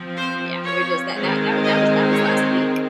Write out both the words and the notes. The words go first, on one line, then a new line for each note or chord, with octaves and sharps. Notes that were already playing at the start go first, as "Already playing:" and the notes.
yeah, we're just that that that that was that was last week.
Already playing: F3 C4
C5
C#5
D#3 G#3 C4
D#5
C#5